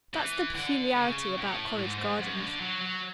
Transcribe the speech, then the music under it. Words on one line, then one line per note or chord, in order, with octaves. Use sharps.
That's the peculiarity about college gardens.
E3
D3
C#3
A2
G#2
G#2
F#2
D3
F#3
F#3